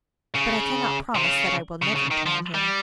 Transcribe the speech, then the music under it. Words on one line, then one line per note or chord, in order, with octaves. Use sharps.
"But I cannot promise that I will never tell him."
C#3
C3
C#3
C#3
C#3
D#3
F3
G3